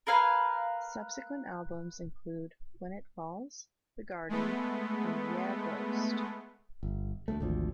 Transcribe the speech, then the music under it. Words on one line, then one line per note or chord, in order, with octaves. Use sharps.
Subsequent albums include "When It Falls", "The Garden", and "Yeah Ghost".
A#4 B4 F5 G#5
G#3 A3 B3
G1
D2 G3 A3
G#1 D2 F3